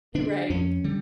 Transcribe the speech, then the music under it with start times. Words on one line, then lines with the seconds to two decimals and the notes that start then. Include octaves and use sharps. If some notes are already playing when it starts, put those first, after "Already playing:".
You're right.
0.15 D3 D4
0.50 F2 C#4
0.84 D3 G3